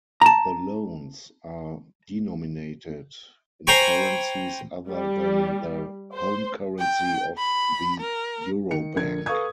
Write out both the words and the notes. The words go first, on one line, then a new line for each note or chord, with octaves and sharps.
The loans are denominated in currencies other than the home currency of the Eurobank.
A5 A#5
C5 G5 G#5 A#5 B5 C#6
G3
C5
G5
B5
A#4
D#3 C#7
A#1 D3 A#4 G#6
A4 B4 F5 C#6 D#6 G#6